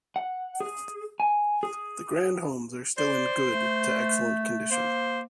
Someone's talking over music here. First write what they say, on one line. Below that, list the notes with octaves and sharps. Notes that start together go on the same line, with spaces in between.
The grand homes are still in good to excellent condition.
F#5
G#4
G#5
G#4
C5 D5
A3
A#3 C5